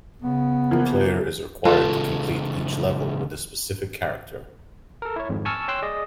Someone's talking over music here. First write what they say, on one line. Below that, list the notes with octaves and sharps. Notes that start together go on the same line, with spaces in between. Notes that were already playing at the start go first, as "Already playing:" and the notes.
The player is required to complete each level with a specific character.
C#3 B3
E3 F3 A#3
C#3 E3 G#3 F4 A4
A4 A#4
E4 C#5
G#1 F2 G#2
G#5 A5 C#6 E6 F6
C#5 G5 C6 E6 F#6
G#4 D5 D#5